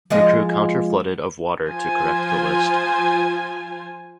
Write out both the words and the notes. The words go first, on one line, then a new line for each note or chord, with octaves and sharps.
Her crew counter-flooded of water to correct the list.
F3 G#3 D#5
F3 F4 C5 G#5